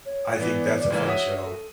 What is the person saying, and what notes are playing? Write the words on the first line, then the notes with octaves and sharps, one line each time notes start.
I think that's a fun show.
C#5
E3 B3 D5
C#2 E3 A#3
F#4 C#5 E5 D#6
A4